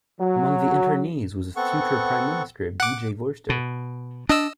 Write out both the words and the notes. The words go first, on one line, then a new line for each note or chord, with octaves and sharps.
Among the internees was future prime minister B. J. Vorster.
F#3
B3 C4 A4 F#5 C#6
F#5 D6
B2
D4 D#5 E6